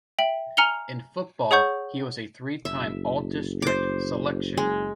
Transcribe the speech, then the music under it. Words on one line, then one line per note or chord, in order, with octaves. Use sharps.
In football, he was a three-time All-District selection.
E5 G5 F#7
G#5 A#5 F6 C#7 F7 G7
G#4 C#5 F#5 C#6 G6
F#1 E5
C5 D6
G#3